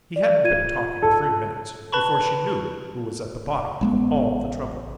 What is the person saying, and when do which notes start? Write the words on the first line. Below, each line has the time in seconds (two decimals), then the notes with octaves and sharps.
He hadn't been talking three minutes before she knew who was at the bottom of all the trouble.
0.16 D5
0.44 F4 G#6 D#7
1.03 A4
1.92 B4 A5 B5 C#6
3.81 A1 G#3 B3